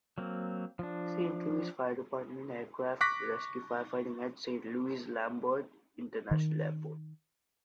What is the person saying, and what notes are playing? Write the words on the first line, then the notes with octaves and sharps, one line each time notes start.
Saint Louis Fire Department - Aircraft Rescue Firefighting at Saint Louis Lambert International Airport.
F#3 A#3 C4
F3 D4
C#6 D6 F#6 A#6 B6
D#3